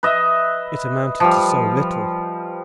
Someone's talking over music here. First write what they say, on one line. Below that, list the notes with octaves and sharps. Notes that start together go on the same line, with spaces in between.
It amounted to so little!
B4 D#5 E5
F3 G3